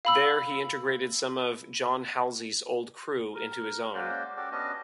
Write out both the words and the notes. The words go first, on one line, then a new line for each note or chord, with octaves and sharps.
There he integrated some of John Halsey's old crew into his own.
F5 B5 E6
A#4
G#3 A#3 C#4 F#4 C5 D5
C#4 F#4 G4 A4 D5
B3 C#4 D4 F#4 D#5